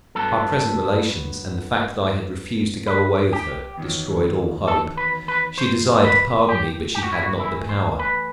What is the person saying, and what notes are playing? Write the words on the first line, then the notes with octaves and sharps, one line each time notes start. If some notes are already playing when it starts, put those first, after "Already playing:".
Our present relations, and the fact that I had refused to go away with her, destroyed all hope; she desired to pardon me but she had not the power.
G2 F#3 B3 A4
B4
G4
E2 D#3 F#3
A4
B4
B4
C5
B4
G4
G4
F#4
E4
F#4
F#2 E3 A3 E4
C5
B4